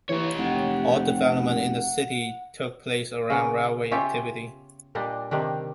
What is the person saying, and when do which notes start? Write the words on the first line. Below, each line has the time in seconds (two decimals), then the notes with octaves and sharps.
All development in the city took place around railway activity.
0.09 E3 G4 C#5
0.37 F1 F#5
3.30 C#3 B3
3.91 C#4 F4 G4 E5
4.95 A#2 G3 D4 D#5
5.31 C3 D#3 G3 D4